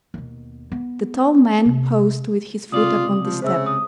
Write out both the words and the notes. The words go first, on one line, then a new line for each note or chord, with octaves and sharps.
The tall man paused with his foot upon the step.
D#2 B2
B3
C3
C#2 C3 F4 D5 D#6
F3
C#3 C5 E5 E6
D#6